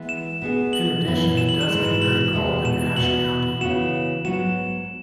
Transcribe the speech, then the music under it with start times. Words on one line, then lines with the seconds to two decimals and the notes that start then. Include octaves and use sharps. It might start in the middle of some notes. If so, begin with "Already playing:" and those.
In addition it does get very cold in Ashe County.
Already playing: E3 G#3 B3
0.09 E7
0.42 B2 B3 G#4
0.73 F#7
1.05 F#2 E3 B3
1.37 E7
1.49 F#7
1.61 E7
1.69 G#2 E3 G#3 F#7
1.85 E7
2.02 F#7
2.33 E2 B2 G#3
2.65 E7
2.96 E2 B2 B3 F#4 F#7
3.61 C#3 E3 B3 F#4 E7
4.25 G#2 F#3 B3 F#4 E7